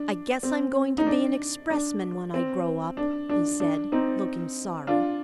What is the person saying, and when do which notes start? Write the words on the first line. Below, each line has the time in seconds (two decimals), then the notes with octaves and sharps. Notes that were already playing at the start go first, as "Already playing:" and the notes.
'I guess I'm going to be an expressman when I grow up,' he said, looking sorry.
Already playing: D4
0.43 C4
0.98 D#4
1.07 D4
1.70 D4
2.34 C4
2.97 D4
3.29 D4
3.60 D4
3.92 C4 D#4
4.87 D4 F4